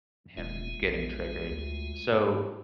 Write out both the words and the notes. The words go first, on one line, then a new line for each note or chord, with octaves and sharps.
him getting triggered so
E1 G#3 F4 E5
A#1
D2
G#2